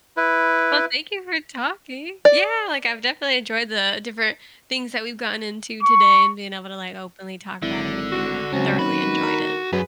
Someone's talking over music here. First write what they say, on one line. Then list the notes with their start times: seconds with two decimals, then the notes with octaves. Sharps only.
Well, thank you for talking. Yeah, like I've definitely enjoyed the different things that we've gotten into today and being able to like openly talk about anything. I've thoroughly enjoyed it.
0.17 E4 B4
2.25 D5
5.83 C#6
7.62 G#1 D3 E4
8.12 F#4
8.53 C#2 F#3 C4 C#4
8.79 D#3 B4
9.23 A#4
9.73 F#2 F#3 G#4 B4